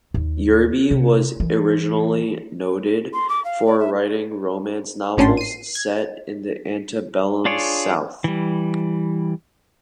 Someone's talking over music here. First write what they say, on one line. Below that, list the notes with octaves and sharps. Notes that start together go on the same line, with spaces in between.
Yerby was originally noted for writing romance novels set in the antebellum South.
D#2
C3
E3
C6
D6
F5
D5
E5
G#1 A2 C#4 D4 A5 C6
C7 D#7
G#6
D4 F4 G#4 C#5 D5
E3 G3